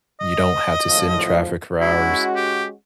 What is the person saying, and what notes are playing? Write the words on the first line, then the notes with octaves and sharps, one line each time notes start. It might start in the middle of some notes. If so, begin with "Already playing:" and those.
you don't have to sit in traffic for hours.
D#5
G#1 A2 F3
G#3 C#4 E4 F#4
G4